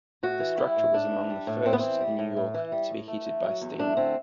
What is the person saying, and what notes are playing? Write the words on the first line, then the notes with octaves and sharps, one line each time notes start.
The structure was among the first in New York to be heated by steam.
A2 F#4
E3
G3 E4
A2
A2 D4
E3
G3
A2
A2 C4
B3
E3 C4
G3
A2
A2
E3
G3
A2
A3
D3
F#3
E2
A3 D4
D3 C4